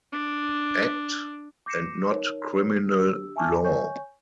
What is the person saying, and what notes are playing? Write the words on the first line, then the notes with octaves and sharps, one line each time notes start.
Act and not criminal law.
D4
D6 G6 A#6 C7 C#7 E7
D#4 A#4 C#5
D4 G4 E6
E5 G#5 A5 C#6 D6
C#5 G#5 C#6 G6